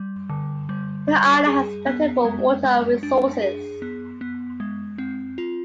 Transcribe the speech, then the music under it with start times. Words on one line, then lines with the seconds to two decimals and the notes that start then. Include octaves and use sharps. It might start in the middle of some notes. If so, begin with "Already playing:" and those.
The island has plentiful water resources.
Already playing: G3
0.29 D3
0.69 G3
1.08 G3
1.47 G#4
1.86 B3
2.25 G#3
2.64 G#3
3.03 D4
3.42 G#4
3.82 B3
4.21 B3
4.60 G#3
4.98 C4
5.38 F4